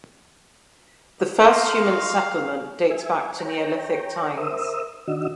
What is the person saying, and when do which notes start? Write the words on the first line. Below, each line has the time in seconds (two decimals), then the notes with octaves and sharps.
The first human settlement dates back to Neolithic times.
1.39 D#4 F5 C6 C#6
2.90 E5 G#5
3.39 C#5 G5 A#5
4.38 A#4 C5 E5 D#6 E6
5.08 D#3 D4 F#4 D#5 E6